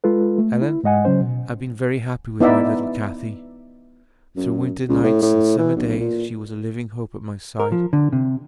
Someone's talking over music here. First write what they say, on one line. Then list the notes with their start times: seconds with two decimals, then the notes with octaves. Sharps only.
Ellen, I've been very happy with my little Cathy: through winter nights and summer days she was a living hope at my side.
0.04 G#3 F4 A4 B4
0.38 A3
0.62 E4
0.84 G#2 G#3 D#5 F#5 G#5
1.05 C#3 F#3 C#4 C5
1.21 B2
2.40 B3 D#4 E4 D5 E5 F#5
4.36 F#2
4.89 C#2
5.04 A2
5.22 A2
5.58 E3
5.76 B1
6.00 A#2
7.60 A#4
7.72 F3
7.93 D3
8.13 C3